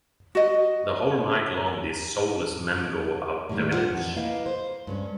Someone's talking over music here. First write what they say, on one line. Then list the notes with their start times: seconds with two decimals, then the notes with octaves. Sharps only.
The whole night long these soulless men go about the village.
0.35 F#4 D#5
3.49 A2 D3 D#3 G3 A#3
3.71 A3 F4 A#4 C5 F#5
3.90 F2 E3
4.17 A#3 E4 B4 D#5 F5
4.46 C5
4.87 G2 G#3 C#4